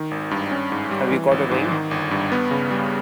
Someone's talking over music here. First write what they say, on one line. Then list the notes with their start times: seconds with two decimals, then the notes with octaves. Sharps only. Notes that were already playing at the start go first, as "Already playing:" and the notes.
Have you got a ring?
Already playing: D#3
0.11 G#1
0.31 G2
0.51 C#4
0.72 G#2
0.91 G3
1.11 E3
1.31 G#1
1.51 G#2
1.71 D#3
1.91 G1
2.11 G2
2.32 B3
2.51 C#3
2.71 G3